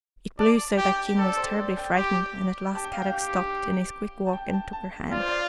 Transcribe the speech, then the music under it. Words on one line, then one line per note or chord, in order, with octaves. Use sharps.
It blew so that Jean was terribly frightened and at last Kadok stopped in his quick walk and took her hand.
D5 A5
G4 G5
A4 D5
C5
D5
G5
G4
G4 A5
G5
F5
G5
G4
A5
G5
A5
A5
F4 D5
C5
D5